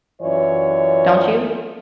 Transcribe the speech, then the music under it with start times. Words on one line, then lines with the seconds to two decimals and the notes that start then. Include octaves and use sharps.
don't you?
0.22 F#2 E3 F4 C#5 D5